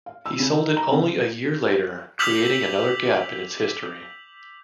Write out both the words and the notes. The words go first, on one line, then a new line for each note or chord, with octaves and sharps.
He sold it only a year later, creating another gap in its history.
F5
E6
C#3
D#4
A#5
C#3
D6 E6 G6 B6 F7 F#7